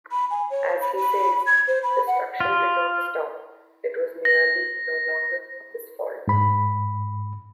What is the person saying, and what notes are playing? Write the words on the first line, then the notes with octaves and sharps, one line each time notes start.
As he says, destruction did not stop, it was merely no longer his fault.
B5
G#5
C#5
B5
B5
G#6
C5
B5
F#5
F4
A#6
G#2 B5